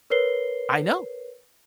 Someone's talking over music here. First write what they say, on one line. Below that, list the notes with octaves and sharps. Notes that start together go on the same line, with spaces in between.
I know.
A#4 B4 C#5 C7 G7